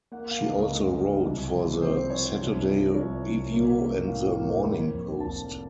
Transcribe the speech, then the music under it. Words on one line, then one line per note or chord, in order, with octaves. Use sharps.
She also wrote for the "Saturday Review" and the "Morning Post".
A#3 F#5
F5
C#2
D#5
C#3
C#3
C2
F3
C4 C5
C5
F3 C#5
C#5
C2
F3
C2 C#5
C2
A#3
C#4
A2 F5
A#3
F2
F2
F1 A5